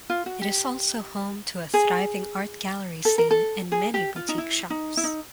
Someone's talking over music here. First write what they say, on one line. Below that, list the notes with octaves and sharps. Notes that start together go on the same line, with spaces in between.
It is also home to a thriving art gallery scene and many boutique shops.
F4
F#4
G4
G#4
A4
A#4
A4
G#4
G4
F4
D#4
E4
D#4
E4
D#4